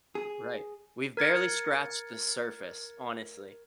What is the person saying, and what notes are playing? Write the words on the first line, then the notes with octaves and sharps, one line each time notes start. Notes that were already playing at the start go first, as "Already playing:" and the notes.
Right, we've barely scratched the surface, honestly.
G#4
A#4 G#6 A6 C#7